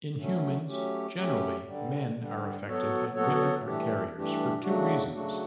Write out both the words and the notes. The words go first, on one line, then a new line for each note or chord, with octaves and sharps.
In humans, "generally" "men are affected and women are carriers" for two reasons.
D3 F#3 A3 C#4
F#3 A3 C#4 G4
F#3 A3 C#4 G4
G2 D3 G3
G2 D3 G3
F#3 B3 F#4 A4 C#5
F#3 B3 F#4 A4 C#5
G2 E3 A3 D4 G4
G2 E3 A3 D4 G4
C#3 F#3 A3 D4 F#4
C#3 F#3 A3 D4 F#4